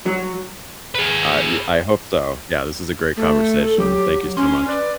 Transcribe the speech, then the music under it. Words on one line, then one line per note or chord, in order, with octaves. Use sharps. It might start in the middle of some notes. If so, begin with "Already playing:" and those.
I yea I hope so. Yeah, this is a great conversation. Thank you so much.
F#3
G#4 B4
A3
A4
F#3 G4
C#4 C6
B4 D5